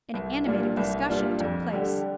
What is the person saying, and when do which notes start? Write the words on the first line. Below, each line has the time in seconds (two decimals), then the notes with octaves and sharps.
An animated discussion took place.
0.14 C2
0.46 A#2 G3 D4 F4
0.77 C2
1.09 A#2 G3 D4 F4
1.40 F2
1.73 D3 G3 D4 G4